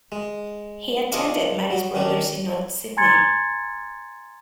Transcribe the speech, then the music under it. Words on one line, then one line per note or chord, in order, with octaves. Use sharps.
He attended Marist Brothers in North Sydney.
G#3
D4 F4 G#4 D#5
F#3
D#3 C#4 D4
G#5 A#5 C6 G#6 A6 C#7